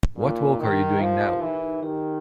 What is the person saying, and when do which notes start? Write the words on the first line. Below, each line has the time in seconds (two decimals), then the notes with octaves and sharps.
What work are you doing now?
0.17 A#2 D#4
0.45 D#4
0.60 D#3
0.73 G4
1.00 F3 A#4
1.28 D#4
1.41 E3
1.55 D#4
1.83 D#3 G4